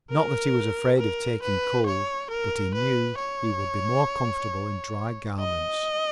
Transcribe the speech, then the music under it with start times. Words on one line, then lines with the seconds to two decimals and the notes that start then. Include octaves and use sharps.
Not that he was afraid of taking cold, but he knew he would be more comfortable in dry garments.
0.10 A#4
0.98 A#4
1.43 B4
1.86 C#5
2.30 A#4
2.74 B4
3.19 C#5
5.40 D#5